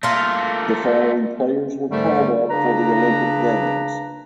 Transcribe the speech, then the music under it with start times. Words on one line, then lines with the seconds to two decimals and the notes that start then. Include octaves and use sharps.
The following players were called up for the Olympic Games.
0.03 A3 A#3 F4 A#4
1.91 G#2 D3 D#3 G3 A3
2.50 C#3 D4 B4 A#5